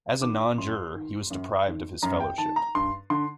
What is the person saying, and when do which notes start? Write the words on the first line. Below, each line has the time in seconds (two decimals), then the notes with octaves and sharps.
As a non-juror, he was deprived of his fellowship.
0.21 D#3 D6
0.58 F#2 C6
0.95 D#3
1.30 F#2
1.67 D#3
2.03 F#2 A#5
2.20 G5
2.38 D#3 A5
2.56 A#5
2.75 G2 C6
3.10 D3 C6